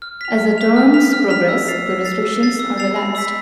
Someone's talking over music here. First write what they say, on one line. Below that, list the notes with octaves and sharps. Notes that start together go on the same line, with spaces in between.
As the terms progress, the restrictions are relaxed.
F6
B6 F7
F6
B6 F7
F6
B6 F7
F6
B6 F7
E6
A6 C7 F7
E6
A6 C7 F7
E6
A6 C7 F7
E6
A6 C7 F7
B5
E6 B6